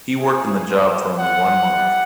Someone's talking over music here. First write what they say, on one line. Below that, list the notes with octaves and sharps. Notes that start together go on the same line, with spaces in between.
He worked in the job for only one month.
A#3 C#4 F4 G#4
G3 A#3 D#4 F#4 C5
C4 F4 F#5
G3 B3 E4